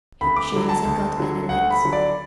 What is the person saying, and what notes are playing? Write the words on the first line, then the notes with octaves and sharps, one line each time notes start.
She hasn't got any legs.
D2 B5
D6
D3 F#3
A5
D2
D3 F#3
D2 F#5
B5
D3 F#3
D5